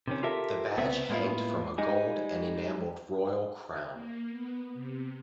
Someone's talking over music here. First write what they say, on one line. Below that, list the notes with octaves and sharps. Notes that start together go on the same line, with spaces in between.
The badge hanged from a gold and enamelled royal crown.
C3 D#3 C#4
F4 G4 A4 A#4 E5
C2 C#3 B3 C4 E5
A2 G#3 A#3 B3 E4 F4
G3 G#3 D#4 G#4
A#3
B3
C3